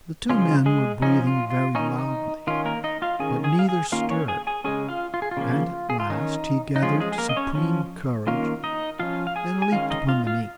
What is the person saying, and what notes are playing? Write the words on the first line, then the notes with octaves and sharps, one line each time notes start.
The two men were breathing very loudly, but neither stirred; and at last he gathered supreme courage, and leaped upon the meat.
C#3 F3 G#3 C#4 F4
G#3 G#4
F3 C#4 D#4
F4
F4
D#3 C#4 D#4
D#4
D#3 C#4 F4
A#3 A#4
D#4 D#5
F4 F5
D#3 C#4 G#4 G#5
G#4 G#5
F5
G#4 G#5
D#3 A#3 C#4 F4 F5
C#4 C#5
G#4 G#5
G#4 G#5
C#3 G#3 C#4 G#4 G#5
F4 F5
F4
G#4
F4
C#3 F3 A#3 C#4
G#4
F4
D#3 C#4 D#4
D#4
F3 G#3 C#4 F4
G#3 G#4
G#4
A#3 A#4
D#5
C#4 C#5
F3 C#4
D#3 A#3 C#4 F4 F5
D#4 D#5
F3 C#4 F4 F5
F5
G#4 G#5
G#5
D#3 G#3 C#4 F4 F5
D#4 D#5
F4 F5
F4 F5